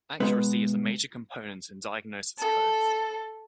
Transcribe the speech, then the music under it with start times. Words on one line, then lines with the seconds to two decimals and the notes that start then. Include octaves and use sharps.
Accuracy is a major component in diagnoses codes.
0.20 B2 G#3 B3 B4 E5 B5
2.38 A4